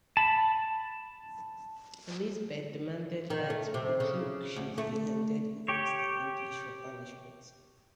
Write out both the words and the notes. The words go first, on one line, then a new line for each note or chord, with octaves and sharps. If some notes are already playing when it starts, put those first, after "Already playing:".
Elizabeth demanded that Buccleuch should be handed over to the English for punishment.
A5 B5
D#3
A3
C3
C#3
D2
A3
G4 C#5